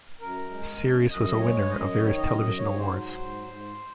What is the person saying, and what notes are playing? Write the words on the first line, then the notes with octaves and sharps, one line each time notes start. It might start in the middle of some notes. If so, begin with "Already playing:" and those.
The series was a winner of various television awards.
F#2 A#4
G#3
F#2
F#2 D#5
G#3 C#5
F#2 D#5
D#3 C#5
D#5
F#2
D#5
G#2 C#5
C5
F#3
C5
G#2
G#2